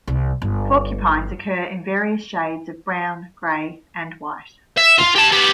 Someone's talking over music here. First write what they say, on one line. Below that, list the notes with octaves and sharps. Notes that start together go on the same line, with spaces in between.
Porcupines occur in various shades of brown, gray, and white.
C2
G1
E5
F4
G4 A5
B3 G4